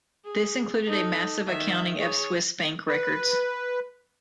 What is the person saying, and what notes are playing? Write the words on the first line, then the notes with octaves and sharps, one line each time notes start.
This included a massive accounting of Swiss bank records.
G#4
D#4 A4
D#3 E5
G#4 C#5
B4